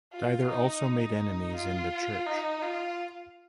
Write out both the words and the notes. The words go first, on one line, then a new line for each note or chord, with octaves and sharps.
Diether also made enemies in the church.
F4
D#4
F4
D#4
F4